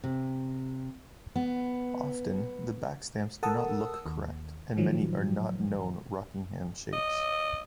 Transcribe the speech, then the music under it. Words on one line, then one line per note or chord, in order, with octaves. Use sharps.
Often the backstamps do not look correct, and many are not known Rockingham shapes.
C3
B3
A4 A#4 F#5 A5 D#6 E6
D#2
A2 D#3 F3 F#3
D#5